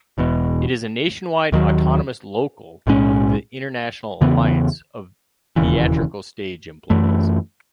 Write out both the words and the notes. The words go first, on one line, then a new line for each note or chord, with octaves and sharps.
It is a nationwide autonomous Local of the International Alliance of Theatrical Stage Employees.
E1 E2 B2
D#2 D#3 F#3
B1 A2 G#3 C#4
E2 C#3 E3 B3
E1 D#2 C#3 E3
F#2 E3 A3